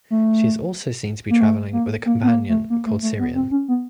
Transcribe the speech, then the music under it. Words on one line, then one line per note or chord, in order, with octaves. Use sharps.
She is also seen to be travelling with a companion called Cyrian.
A3
A#3
A3
A#3
A#3
B3
A#3
A3
A#3
A3
A3
B3
C4
C#4
B3